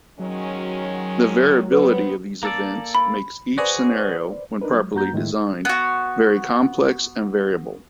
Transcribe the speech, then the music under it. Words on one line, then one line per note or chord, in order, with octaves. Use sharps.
The variability of these events makes each scenario-when properly designed-very complex and variable.
D#3 F#3 G#3 C#4
B3 C4 B4
A#3 A4 D5
B5
F#4 G#4 B4 C5 D5
D4 D#4 A#4 B4
F#3 G#3
F#2 A#3 F#4 A#5 G6
A2 D#3 G#3 A3 E4
B3 F#4